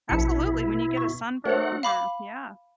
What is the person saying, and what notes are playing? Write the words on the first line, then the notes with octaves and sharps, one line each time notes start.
Absolutely, when you get a sunburn or yeah,
A#1 B2 E4 A5 C#7
C#6
A3 F#4 A#4 C5 C#5 F#5
F5 B5 D6